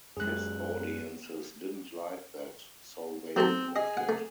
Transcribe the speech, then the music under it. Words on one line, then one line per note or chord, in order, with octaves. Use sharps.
Test audiences didn’t like that so they removed it.
F#2 G#3 G#4 F#6
F#3 A3 C4 A5
G#4 D#5
F#5
A3